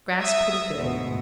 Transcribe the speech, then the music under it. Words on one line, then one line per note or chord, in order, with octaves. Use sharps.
Grass pretty good.
E5 D#6 E6
D2 G#2 B2